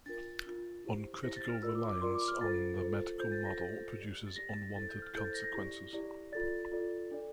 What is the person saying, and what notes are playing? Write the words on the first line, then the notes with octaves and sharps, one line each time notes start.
Uncritical reliance on the medical model produces unwanted consequences.
D4 F4 A#4 A6
D4 F4 A#4
E4 G4 C5
E4 G4 C5 A#6
A6
F6
F4 A#4 D5 E6
D6
D6
F4 A#4 D5 C6
D6
F6
F4 A4 C5 A6
F4 A4 C5
F4 A4 C5 G6
A6
A#6
F4 A4 C5 A6
G4 D5
A6
G4 D5 A#6
A6
A#6
E4 A4 C5 A6
G6
F6
E4 A4 C5 G6
A6
A#6
A#6
E4 G4 D5
E4 G4 D5
F4 A4 D5 A6
F4 A4 D5
D4 A4 D5